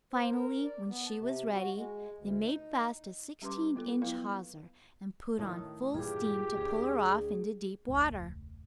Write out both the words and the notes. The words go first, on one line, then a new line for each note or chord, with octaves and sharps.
Finally, when she was ready they made fast a sixteen-inch hawser, and put on full steam to pull her off into deep water.
C5
A#4
D5
B3
A5
C3
F#4
G#3
D2
D#4
G3 C#4 G4 B4 C6 D6
B3 F4 A4
F#3 B3 E4 B4 F5
A2 D#3 A5 D#6
G2 A#2 E3 F4 G4 G#4
D2 G#4
E1 C#2 A2